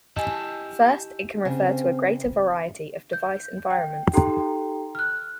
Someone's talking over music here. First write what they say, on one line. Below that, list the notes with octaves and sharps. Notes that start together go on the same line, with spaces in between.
First, it can refer to a greater variety of device environments.
E4 G4 D#5 G#5 A5
C#3 C4
G6
G5
D#4 G4 A4 G5 A#5 C6
F6 F#6